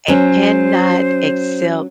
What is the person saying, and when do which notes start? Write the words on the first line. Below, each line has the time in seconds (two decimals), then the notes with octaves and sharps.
and cannot accept
0.08 F#3 C#4 C5